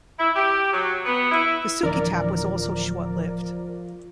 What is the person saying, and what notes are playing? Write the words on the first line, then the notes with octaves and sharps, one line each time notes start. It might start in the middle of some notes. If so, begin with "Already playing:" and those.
The Sugi Tap was also short lived.
E4
G4
F#3
B3
E4
D1 E3 F3 D4 A#4 D5